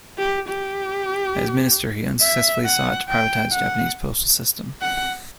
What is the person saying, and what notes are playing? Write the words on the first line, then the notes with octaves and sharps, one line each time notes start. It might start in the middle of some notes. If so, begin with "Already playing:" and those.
As minister, he unsuccessfully sought to privatize the Japanese postal system.
G4
G4
E5
F#5
G5
F#5
F#5